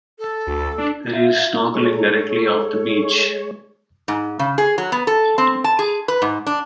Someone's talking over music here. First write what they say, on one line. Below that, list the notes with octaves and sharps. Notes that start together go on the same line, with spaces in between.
There is snorkelling directly off the beach.
A4
D2
D4
F4 E5
G#3 A4 C#5
G#2
C#3
G#4
F#3
B3
A4
C4
A5
G#4
B4
G#2
D4